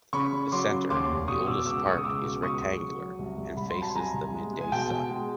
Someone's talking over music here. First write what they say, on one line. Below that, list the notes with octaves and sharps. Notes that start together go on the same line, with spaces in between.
The center, the oldest part, is rectangular and faces the midday sun.
C#3 B5 C#6
C#3
F#3 C6 D6
C#3
D#2 C6 D6
F1
B2 C#6 D#6
B2 D6 E6
C#2 D6 E6
C#2 C#6 D#6
D#6
C#2 D6 E6
B2
C#2 C#6 D#6
C#2
F#3
F#3
C2
C2
C2 B5
C6
F#3
A5 B5
C2 G#5 A#5
C2
G#3
G#3
G#5
B2 G5 A5
B2
G#3